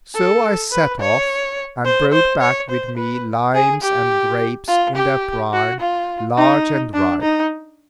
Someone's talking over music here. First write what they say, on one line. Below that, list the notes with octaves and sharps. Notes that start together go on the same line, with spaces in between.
So I set off, and brought back with me limes and grapes in their prime, large and ripe.
A4
B4
C#5
C5
C5
C#5
C5
B4
G#4
G4
F4
G4
F#4
F4
D#4
D4
D#4